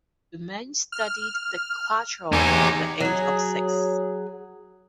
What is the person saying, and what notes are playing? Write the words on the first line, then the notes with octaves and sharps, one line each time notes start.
Domenech studied the cuatro from the age of six.
F6
E2 D#4 G4 G#5 D#7
F#3 G#4